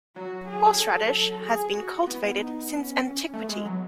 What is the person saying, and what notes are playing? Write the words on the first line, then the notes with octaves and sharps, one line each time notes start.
Horseradish has been cultivated since antiquity.
F#3 F#4
G#4
A4
G#4
F#4
B3 E4
D#4
C#4
A3 B3
G#3
F#3